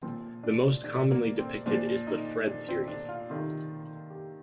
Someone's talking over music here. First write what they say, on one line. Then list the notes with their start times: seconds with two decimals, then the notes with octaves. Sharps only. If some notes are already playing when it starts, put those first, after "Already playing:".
The most commonly depicted is the "Fred" Series.
0.02 A#2 F3 C4
0.43 D4
0.84 D4
1.11 A#3
1.39 C4
1.66 A#2 F3 D4
2.07 D#4
2.47 D4
2.69 C4
2.88 D4
3.09 F4
3.30 C3 D#3 F4
4.10 G4